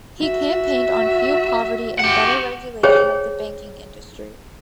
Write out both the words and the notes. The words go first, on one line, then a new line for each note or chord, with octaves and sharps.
He campaigned on fuel poverty and better regulation of the banking industry.
F#4 E5
G4 F#5
G#4 C5 C#5 G5